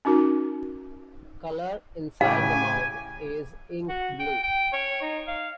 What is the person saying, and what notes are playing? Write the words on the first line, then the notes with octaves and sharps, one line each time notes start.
Color inside the mouth is ink-blue.
C#4 D#4 F#4 A#4
A2 C#3 G4 F5 G#5
F#4
G5
G5
C#5
D#4
F5